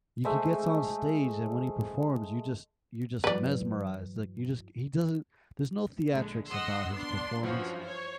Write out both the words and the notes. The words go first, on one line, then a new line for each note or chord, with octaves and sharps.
you he gets on stage, and when he performs, you just you're just mesmerized, like, you just he doesn't there's no theatrics about his performance.
G#3 A3 C5 E5
G2 E3 F#3 B4 D5
A#1 D3 G#3
D#5 F#5 C6 E6
B3 D4 C6
G2 E3 F3 C#4 F#4
C5 C#5